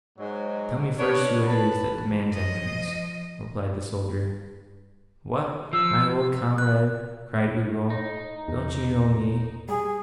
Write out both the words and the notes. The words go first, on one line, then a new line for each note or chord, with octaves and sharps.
'Tell me first who it is, that demands entrance,' replied the soldier. 'What! my old comrade,' cried Ugo, 'don't you know me?
G#2 F#3
B3 D4 B4 C#5
B4 A5
F3 D#5
F3 E6
F#6
D#4
E2
G3 G#4